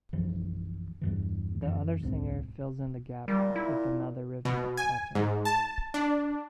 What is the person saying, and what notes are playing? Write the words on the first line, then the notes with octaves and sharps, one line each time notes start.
The other singer fills in the gap with another rhythmic pattern.
A#1 F#2 E3 F3
E2 G2 E3
F#2 E3
D1 B1 G#2 C4
A#2 G3
E4
B2
G#5
G#2
A5
D4